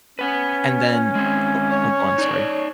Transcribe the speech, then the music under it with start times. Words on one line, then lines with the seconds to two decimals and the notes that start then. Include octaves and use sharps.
And then, o oh, go on, sorry.
0.19 C#4 B4 F#5
1.15 G#3 C4
1.70 C#5
2.18 D#4 D5